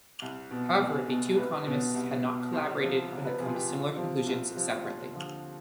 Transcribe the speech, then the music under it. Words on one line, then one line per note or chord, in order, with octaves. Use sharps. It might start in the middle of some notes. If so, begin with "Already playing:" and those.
However, the two economists had not collaborated but had come to similar conclusions separately.
C2
B2
C2 G#4
B2
C2 B4
B2
C2
B2
C2 C5
C3 F3
C2
B4
C3 F3 G#4
F4
G4
C2 F4
C3 F3
C2
C3 F3
D#2 F4
D3 F3